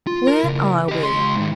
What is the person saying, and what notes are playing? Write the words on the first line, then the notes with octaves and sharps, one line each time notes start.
'Where are we?
F4
A#4
C#3 E4
G4 D#5
C#2 C6
G#2 D#3